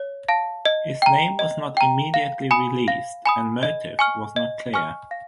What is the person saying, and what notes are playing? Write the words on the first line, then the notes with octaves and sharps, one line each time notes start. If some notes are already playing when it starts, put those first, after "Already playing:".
His name was not immediately released and motive was not clear.
Already playing: C#5
F5 A5
D#5
G5 A#5
D#5
G5 A#5
F5
G#5 B5 D#6
F5
G#5 B5 D#6
D#5
G#5 C#6 F6
D#5
G#5 C#6 F6
F5